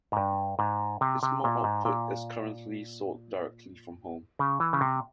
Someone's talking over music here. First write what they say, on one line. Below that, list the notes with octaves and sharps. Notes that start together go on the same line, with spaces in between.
His small output is currently sold directly from home.
G#2
G2
G#2
C3
C3
A#2
G#2
A#2
C#3
E3
C#3
C3